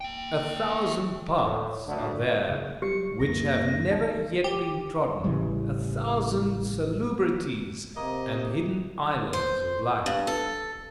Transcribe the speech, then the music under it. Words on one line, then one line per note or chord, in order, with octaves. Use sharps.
A thousand paths are there which have never yet been trodden; a thousand salubrities and hidden islands of life.
A#3 G5
A2
D2
F#1 C#3
F#3 G3 G4 C#7
C#2 F#2 E3 A#3 A#6
D2 D#4
G4
A1 C#3 E3 G3
C3 A#3 D#5
C5
G2
A4